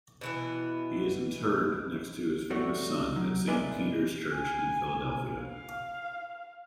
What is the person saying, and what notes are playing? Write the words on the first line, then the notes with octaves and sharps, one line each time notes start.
He is interred next to his famous son at Saint Peter's Church in Philadelphia.
B2 E3 B3
G3 A3 F#4 C#5
F#3
G#3 A#4 B4 D5 E5 G#5
G#5
F5